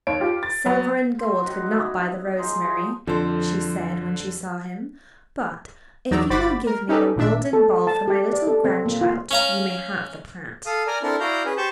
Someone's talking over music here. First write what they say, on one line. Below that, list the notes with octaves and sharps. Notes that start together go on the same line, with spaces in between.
"Silver and gold would not buy the rosemary," she said when she saw him; "but if you will give me your golden ball for my little grandchild you may have the plant."
D#2 C#5 D7
F4 G4
A6
F#3 B3
C4 C5
F#2 D#3 F#3 F#4
B3 E4
B5
D#4 F4 G#4 C5
F3 F#3
F2 D3 F3 A4 C5
E2 F#3 D#4 D5 A#5 E6
G1 F#4 C5 B5 D6 A6
A#4
C#4 D#4 G4 A4 B4
G#1 A#2 D4 E5
A4
A5
G4
D5
A4
C4
A#3
F4
C#4 F5 A#5
A4 F5 D#6
A#4 D5 G#5 A#5
C4 D4 E4 A4 A#4
E4 F#4 D5 F5 A#5 G6
C#4 G#4 B4
G4 C5 A5 C#6 G6